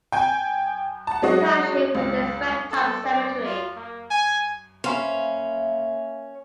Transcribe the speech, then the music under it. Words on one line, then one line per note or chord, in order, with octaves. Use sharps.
The township contains Redtop Cemetery.
G5 G#5 G6
F#5 A5
F#3 G#3 D4 F#4 D#5
C#2
A4
D5
F4
A#3
G#5
A#3 C#4 C5 E5 F5 B5